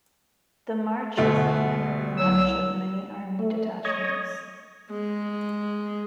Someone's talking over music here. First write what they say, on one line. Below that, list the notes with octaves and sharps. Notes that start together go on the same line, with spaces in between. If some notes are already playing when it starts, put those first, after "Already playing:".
The march is the honorary march of many army detachments.
D2 B2 A3
C2 F#3 E6
A3
C#5 D#5
G#3